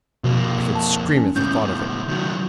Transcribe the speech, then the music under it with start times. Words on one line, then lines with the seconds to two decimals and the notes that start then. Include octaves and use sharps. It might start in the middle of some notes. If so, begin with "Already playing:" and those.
I could scream at the thought of it.
0.24 F2 B2 A#3
0.75 A5
1.17 C#4
1.36 C#2 A2 G6
2.08 D#3 F#3